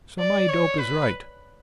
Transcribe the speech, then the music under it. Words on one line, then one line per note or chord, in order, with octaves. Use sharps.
So my dope is right.
D5
C#5
B4